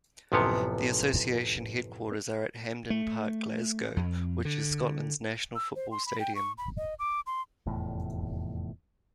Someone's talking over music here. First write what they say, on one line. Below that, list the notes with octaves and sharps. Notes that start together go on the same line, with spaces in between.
The association headquarters are at Hampden Park, Glasgow, which is Scotland's national football stadium.
A1 F#2 C3 F3 B3 C#5
A3
F2
D3
E6
C5
C6
B5
G5
C#6
B5
D#5
D6
C6
F1 E2 A2